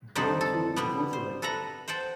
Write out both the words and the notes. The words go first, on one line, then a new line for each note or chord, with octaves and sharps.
Don't you, usually?
F2 D3 G3 D#4 C5 F#5
A4
B2 G3 B3
C5
A4 B4 E5 F#5 A#5
C5 F#5 G5 A5